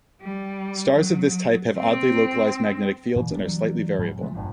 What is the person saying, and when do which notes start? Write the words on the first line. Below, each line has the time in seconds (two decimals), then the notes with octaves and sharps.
Stars of this type have oddly localised magnetic fields and are slightly variable.
0.21 G3
0.98 F#3
1.77 C4
3.16 A#2 E3
3.31 E1 D2 B3 D4
3.43 E3 F#3 G3
3.99 G#2 F#3 G3
4.21 C3 F3 G#3 A3
4.34 E1 B1 G2 A#2